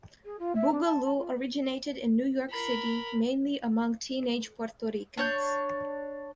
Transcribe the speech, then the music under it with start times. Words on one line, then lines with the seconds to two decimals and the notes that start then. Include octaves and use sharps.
Boogaloo originated in New York City mainly among teenage Puerto Ricans.
0.25 G#4
0.39 F4
0.55 E5
0.72 D4
0.85 A5
1.04 A5
1.18 F4
2.50 A#4 B5
5.17 D4 C#5 G6